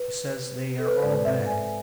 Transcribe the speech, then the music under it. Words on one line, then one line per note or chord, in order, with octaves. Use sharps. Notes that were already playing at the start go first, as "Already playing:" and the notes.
He says they are all bad.
Already playing: B4
A4
B4
C5
G#2 G#3 C4 D5
E5
G#5